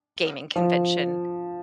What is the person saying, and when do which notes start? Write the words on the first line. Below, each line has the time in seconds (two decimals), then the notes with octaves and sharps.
gaming convention,
0.56 F3